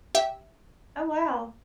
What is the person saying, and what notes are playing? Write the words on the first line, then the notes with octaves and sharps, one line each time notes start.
Oh, wow.
G4 E5